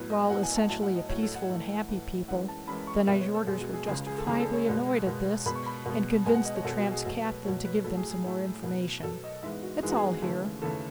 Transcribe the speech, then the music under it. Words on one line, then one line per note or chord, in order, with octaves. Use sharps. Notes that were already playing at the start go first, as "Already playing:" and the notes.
While essentially a peaceful and happy people, the Nyjorders were justifiably annoyed at this and convinced the tramp's captain to give them some more information. It's all here.
Already playing: A2 F#3 B3
D#5
A2 F#3 B3 F#5
G#5
A5
A2 F#3 A3 A5
F#5
D#5
A2 F#3 A3 C#5
A4
F#5
A2 E3 A3
A2 E3 A3
F#2 E3 G#3 F#5
A5
F#2 E3 G#3 B5
C#6
B2 G#3 B3 E5
C#5
A4
B2 G#3 B3 G#4
F#4
G#4
C#2 C#3 G#3 G#4
G#4
A4
C#2 C#3 G#3 G#4
A4
C#5
B2 G#3 B3
B2 G#3 B3
B2 G#3 B3 B5
C#6
B5
B2 G#3 B3
B2 G#3 B3 G#5
F#5
D#5
C#5
B2 G#3 B3 A4
F#4
G#4
B2 F#3 A3 A4
B4
B2 F#3 A3 C#5
B4
A2 F#3 A3 A4
G#4
G#4
A2 F#3 A3
B2 F#3 B3
B2 F#3 B3 A4
D#5
G#2 E3 G#3 B3 E5
F#4
G#2 E3 G#3 B3 G#4
F#4
G#4
D#2 C#3 E3 A3
D#2 C#3 E3 A3 A4